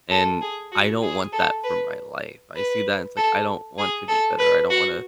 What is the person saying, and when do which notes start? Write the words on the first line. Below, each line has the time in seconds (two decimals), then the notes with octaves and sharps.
and I don't want that for my life, I see that and it's like, I don't want to be bitter. I don't wanna
0.10 A4
0.41 G#4
0.72 F#4
1.02 G#4
1.33 A4
1.64 B4
2.55 B4
3.17 A4
3.78 G#4
4.08 A4
4.39 B4
4.70 F#4